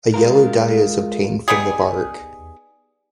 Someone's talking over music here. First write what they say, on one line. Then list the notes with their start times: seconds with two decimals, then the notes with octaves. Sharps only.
A yellow dye is obtained from the bark.
0.14 G#3 F4 A#4
1.48 G3 B3 D#4 G#4